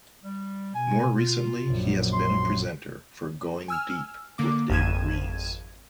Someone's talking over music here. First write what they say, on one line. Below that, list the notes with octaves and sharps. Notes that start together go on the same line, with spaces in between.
More recently he has been a presenter for "Going Deep with David Rees".
G3
B2 G#5
F4
A#1 F#2
C6
G#5 E6 F6
D3 A#3 D6
G#1 F2 G#6 D#7 E7